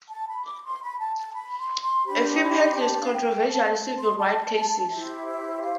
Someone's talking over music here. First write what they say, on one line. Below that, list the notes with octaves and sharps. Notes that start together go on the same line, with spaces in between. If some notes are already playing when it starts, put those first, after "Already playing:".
The firm handles controversial civil rights cases.
A5
B5
D6
C6
B5
A5
A5
B5
C6
C6
D4 G4 C5 B5
B5
A5
F5
G5
A5
A5
C6
A5
A5
E4 G4 C5 E5
E5
F5